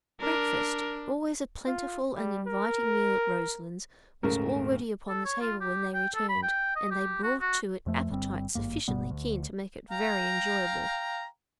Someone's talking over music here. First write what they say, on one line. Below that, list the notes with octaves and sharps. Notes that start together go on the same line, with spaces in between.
Breakfast--always a plentiful and inviting meal at Roselands--was already upon the table when they returned, and they brought to it appetites sufficiently keen to make it very enjoyable.
D4 A#4
F4
G3
A#4
D#1 G#2 C#3 A3 A#4
A4
C#5
F4
G4
G5
A4
B5
G5
D#5
G4
F#4
F#4
F2 F3 A3
G1 G3 C4
G#1 E2 G2 A#3
G1 B2 G3 B3
D2
F5 G5 A#5